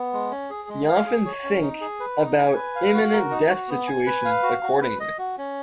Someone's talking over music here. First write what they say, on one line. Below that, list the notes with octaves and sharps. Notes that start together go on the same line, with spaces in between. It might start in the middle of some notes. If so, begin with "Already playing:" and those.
He often think "about imminent death situations," accordingly.
Already playing: B3
G#3
C#4
G#4
G#3
F5
G#4
C#5
C#4
D#4
G#4
B4
D#4
G#5
B4
F5
F#4
A#4
D#4
F#4
B3
G#5
B4
F5
F#4
F#4
B4
D#5
F#4
C#4